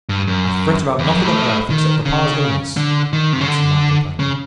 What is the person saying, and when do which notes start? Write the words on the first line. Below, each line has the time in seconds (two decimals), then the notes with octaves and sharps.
'I fret about nothing on earth except papa's illness,' answered my companion.
0.09 G2
0.27 F#2
0.99 E2
1.07 F2
1.17 F#2
1.25 A2
1.70 D#3
2.05 C#3
2.77 D3
3.13 D#3
3.33 C3
3.41 C#3
3.47 D3
4.19 C#3